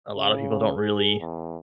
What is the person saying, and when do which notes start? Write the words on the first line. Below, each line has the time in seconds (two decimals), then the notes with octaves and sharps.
a lotta people don't really,
0.16 C#3
0.77 G#4
1.20 E2